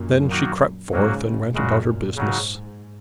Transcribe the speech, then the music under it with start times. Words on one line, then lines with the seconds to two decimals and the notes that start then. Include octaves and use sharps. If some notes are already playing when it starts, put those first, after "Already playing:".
Then she crept forth, and went about her business.
Already playing: F#2 A#2
0.30 D#3 A#3 D#4 F#4
0.92 G#2 C#3 F#3 A#3 F#4
1.54 F#2 A#2 C#3 G#3 F#4
2.16 G#2 C#3 F#3 D#4 F#4